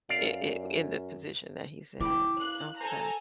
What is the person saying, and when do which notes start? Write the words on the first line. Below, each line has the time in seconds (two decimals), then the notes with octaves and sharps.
i i in the position that he's in. Okay.
0.09 F#2 D5 F5
2.00 E4 G5 B5 D6
2.40 F5 F#6
2.80 A4 C5 G#5 A#5